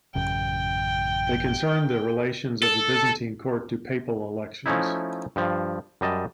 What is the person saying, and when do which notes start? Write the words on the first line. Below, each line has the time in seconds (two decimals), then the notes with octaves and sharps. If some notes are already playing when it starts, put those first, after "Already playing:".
They concerned the relations of the Byzantine Court to papal elections.
0.15 A1 F#2 C#3 G5
2.63 A4
4.66 F3 A3 C#4 D#4 E4
5.36 G2 F3
6.01 F#2 G3 D#5 A5